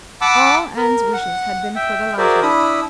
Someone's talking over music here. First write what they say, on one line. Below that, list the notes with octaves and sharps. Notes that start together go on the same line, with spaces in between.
All Anne's wishes had been for the latter.
F#5 A5 B5 D6 E6
A#4
F#5
E5 G5
F#4 G#4 A#4 C5 D5 E5
D4 E4 B5 D#6